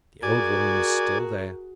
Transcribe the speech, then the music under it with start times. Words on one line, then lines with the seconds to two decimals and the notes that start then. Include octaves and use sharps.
The old woman was still there.
0.23 F#4 G#4 A#4 D5 G#5